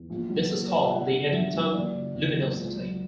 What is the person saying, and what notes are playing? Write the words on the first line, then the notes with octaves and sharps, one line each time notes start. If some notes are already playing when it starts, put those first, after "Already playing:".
This is called the Eddington Luminosity.
Already playing: E2
A#1
F#3
A#2
C#5
A#1
D5
E5
G1 F#5
D3
F#2 E5
F#3
F#1 D5
C#3
E2
F#1
C#2
F#3